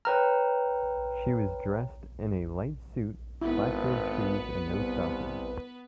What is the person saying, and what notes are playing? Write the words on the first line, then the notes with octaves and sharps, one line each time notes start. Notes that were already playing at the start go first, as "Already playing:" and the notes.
She was dressed in a light suit, flat-heeled shoes and no stockings.
B4 C#5 G5 A#5 F6
G#1 B3 E4 B4
C2